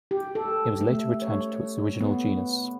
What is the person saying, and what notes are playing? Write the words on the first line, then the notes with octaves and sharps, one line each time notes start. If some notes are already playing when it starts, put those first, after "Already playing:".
It was later returned to its original genus.
G4
A4
A3
C#5
B3